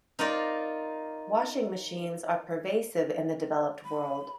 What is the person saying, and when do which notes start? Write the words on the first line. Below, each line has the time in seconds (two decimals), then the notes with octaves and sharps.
Washing machines are pervasive in the developed world.
0.19 D#4 F4 A#4 D5
3.84 B5